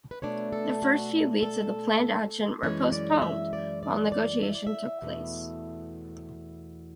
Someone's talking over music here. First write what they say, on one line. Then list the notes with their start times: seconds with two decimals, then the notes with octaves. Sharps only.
The first few weeks of the planned action were postponed while negotiation took place.
0.11 B4
0.22 B2 A3 D4 C#5
0.53 A4
0.82 F#4
1.43 A4
2.63 F#2 E3 G#3 C#4 C#5
2.92 D5
3.22 E5
3.53 D5
3.83 D5
4.12 D5
4.43 E5
4.55 D5
4.67 E5
5.02 E2 B2 A3